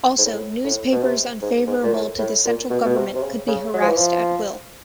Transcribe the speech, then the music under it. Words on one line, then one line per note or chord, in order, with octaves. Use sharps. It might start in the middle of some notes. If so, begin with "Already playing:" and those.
Also, newspapers unfavorable to the central government could be harassed at will.
G#2
A2
A2
B2
C3
G#2
G#2
A#2
A2
A2
A#2
B2
B2
C3
C3
C#3
C#3
F#3
F3
E3
F3